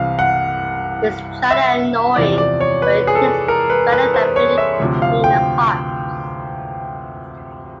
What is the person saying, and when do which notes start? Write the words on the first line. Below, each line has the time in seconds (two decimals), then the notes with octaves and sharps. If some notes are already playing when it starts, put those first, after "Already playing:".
It's jolly annoying, but it is better than being the Queen of Hearts.
Already playing: C2 C3 E3 F5
0.19 F#5
1.51 E5
2.16 E2 C3 F3 D5
2.38 D5
2.60 C#5
2.82 B4
3.07 G#4
3.15 A4
3.48 A#4
3.70 B4
3.92 B4
4.14 C5
4.36 C#5
4.58 E5
4.79 D2 C3 F3
5.02 F5
5.24 G5